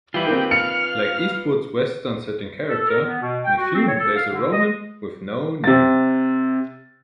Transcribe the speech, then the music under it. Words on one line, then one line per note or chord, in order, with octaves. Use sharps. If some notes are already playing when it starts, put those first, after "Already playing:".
Like Eastwood's western setting character, Mifune plays a ronin with no name.
E3 G3 F4 B4
D#3 C4 G4
F5 F6 C#7
A4
A#4
B3
B2
G5
F#4
C4
C#5
A4
F5
D3
D#5
C3 A6